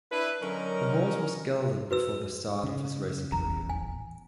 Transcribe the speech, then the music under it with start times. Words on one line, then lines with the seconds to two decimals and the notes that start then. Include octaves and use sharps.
The horse was gelded before the start of his racing career.
0.11 D4 E4 B4
0.42 D3 F#3 C#4 D#4 A#4
1.91 F#4 B4 E6
2.63 C#3
3.32 D#1 A1 E2 A#5
3.69 G#5